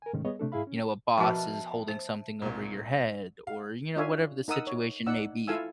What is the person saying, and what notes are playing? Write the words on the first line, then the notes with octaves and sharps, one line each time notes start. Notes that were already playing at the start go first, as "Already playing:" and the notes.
you know, a boss is holding something over your head or, you know, whatever the situation may be.
A#4 G#5
G#2 C3 D#3 G#3 A3 C#4
G3 B3 G#4 C#5 D#5
C3 A3 D4 A4
G#2 E4 G#4 E5 F5 B5
C#4
B2 F3 F#4 A#4 B4 E5 A5
C5
C2 A#2
F5
D4 F4 C#5 E5 F5 G#5
D#4 A#4 F#5 D#6 E6
C#5
D#4 D5 F#5 E6
E4 F4 A4 F5 G#5 E6